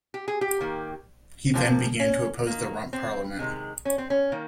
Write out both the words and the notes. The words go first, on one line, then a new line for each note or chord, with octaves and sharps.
He then began to oppose the Rump Parliament.
G4
G#4
G4
D#3 A#3
C3 F3 A#3
C#4
D#3 A#3
C4
C3 D#3 G#3
C#4
C4
C#4
D#3 A#3